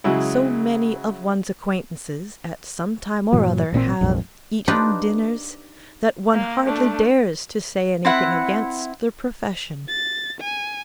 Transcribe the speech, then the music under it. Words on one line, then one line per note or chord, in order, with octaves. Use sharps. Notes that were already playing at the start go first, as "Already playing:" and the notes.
So many of one's acquaintances at some time or other have "eaten dinners" that one hardly dares to say anything against the profession.
C#3 F#3 G#3 E4
G2 A#2 E3 F#3
A1 A#2 B3 C4
A#1 F2 G#2
D4 D#4 F4 G4 B4 D#5
A#3
A3 D4
C4 E4 F#5
A6
G#5